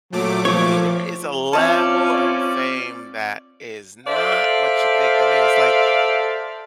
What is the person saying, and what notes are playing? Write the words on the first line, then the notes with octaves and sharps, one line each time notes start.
I mean, there is a level of fame that is not what you think, I mean, it's like,
A#2 F#3 A3 D6
F3 C#5
C4 C#4 F4 D5 E5 A5
A4 C5 D5 E5 F5